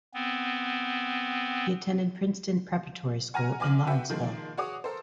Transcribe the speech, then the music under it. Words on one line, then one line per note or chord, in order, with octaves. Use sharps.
He attended Princeton Preparatory School in Lawrenceville.
B3 C4
F#5 G#5 A#5 F6 A#6
A#1 G#5 D6 F6 F#7
F#4 B4 E5 G5
D#3 F3 G#3 A#3
F#4 G#4 C#5 D6 D#6
A4 A#4 C5